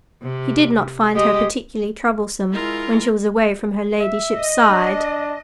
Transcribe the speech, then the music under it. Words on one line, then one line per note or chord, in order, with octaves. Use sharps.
He did not find her particularly troublesome when she was away from her ladyship's side.
C3
G#3 G4 D#5
G#3 E4 F4 A#4
E5
D#5
D4